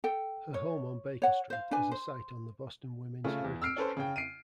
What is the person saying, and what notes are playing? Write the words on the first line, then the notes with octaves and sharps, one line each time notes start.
Her home on Baker Street is a site on the Boston Women's Heritage Trail.
A4 G5
C#5
C#5 F#5
C5 F5
D4 B4 G#5
C5
C#3 A3 F4
E2
E6 F6 C7 D7
C#4 A4 B4 C5
C#3 G5
C7 D7 D#7